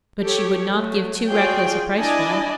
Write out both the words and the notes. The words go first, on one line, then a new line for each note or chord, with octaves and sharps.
But she would not give too reckless a price for them.
G4 A4 C#5
F#3 A3
F4 F#4 G#4 C#5 D5 G5
D4 E4 D5 D#5 G#5 A5